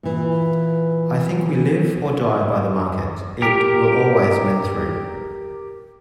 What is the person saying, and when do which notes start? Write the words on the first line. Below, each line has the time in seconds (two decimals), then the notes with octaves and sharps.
I think we live or die by the market, it will always win through.
0.03 A#2 E3
3.42 G4 A#4